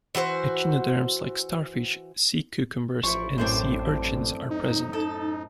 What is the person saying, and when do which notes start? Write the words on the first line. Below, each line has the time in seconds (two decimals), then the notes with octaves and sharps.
Echinoderms like starfish, sea cucumbers and sea urchins are present.
0.15 E3 F#4 G#4 C5
3.04 A1 F3 E4 C#6
3.38 F#2 A2 C4 D4 C5
4.51 D#4
4.93 A4